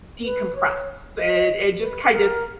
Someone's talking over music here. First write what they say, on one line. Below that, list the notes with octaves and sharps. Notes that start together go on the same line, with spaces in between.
decompress. It it just kind of, s
B4
C#5
D#5
B4
B4
A#4